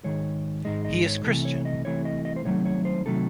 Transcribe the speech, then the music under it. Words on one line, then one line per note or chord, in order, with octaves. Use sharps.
He is Christian.
G#2 D#3 G#3 C#5
G#2 D#3 G#3 D#5
D#5
C#5
C2 C3 E3 A3 A4
C#5
D#5
C2 C3 E3 A3 C#5
D#5
D#5
C5
C2 C3 D#3 F#3 A3 C#5
C#5
C5
C3 D#3 F#3 A3 A4